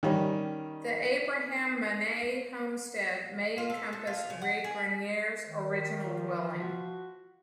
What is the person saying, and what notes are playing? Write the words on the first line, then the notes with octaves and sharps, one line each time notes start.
The Abraham Manee Homestead may encompass Regrenier's original dwelling.
D#3 G3 C#4
F4
A4
A4
F4
C#3
F#5
G#4
D#3
F3
F#4